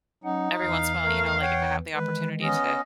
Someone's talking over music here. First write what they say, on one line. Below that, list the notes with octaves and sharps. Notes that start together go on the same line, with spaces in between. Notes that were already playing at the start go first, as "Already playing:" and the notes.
every once in while, know, like if I have the opportunity to,
F#3 C#4 D#4 F#5
E2 E3 F5
A3 A#4
C#5 F#5 G5
D#3 E3 G#3 B4
B3 C#4 D#5